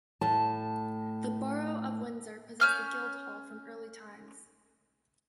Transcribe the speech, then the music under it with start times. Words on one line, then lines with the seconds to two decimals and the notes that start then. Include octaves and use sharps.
The Borough of Windsor possessed a guildhall from early times.
0.21 A2 A5
2.60 C#4 F6 G6